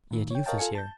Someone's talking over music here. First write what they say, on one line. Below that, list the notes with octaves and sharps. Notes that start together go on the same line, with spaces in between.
Yet youth is here.
A2 D#3
C#5 G5
A#4 C#5 D#5 F5 G5 A5
F4 A4 F5 G#5 C#7
A5 G6